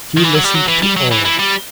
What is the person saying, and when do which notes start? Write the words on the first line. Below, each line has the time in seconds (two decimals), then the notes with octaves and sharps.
She listened to all.
0.17 D#3
0.24 E3
0.34 F#3
0.44 G3
0.55 F#3
0.68 E3
0.82 G3
0.96 F#3
1.11 E3
1.25 E3
1.39 G3